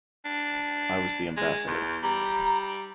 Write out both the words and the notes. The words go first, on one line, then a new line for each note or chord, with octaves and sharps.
I was the ambassador.
D4
G#3
E2
G3 A#5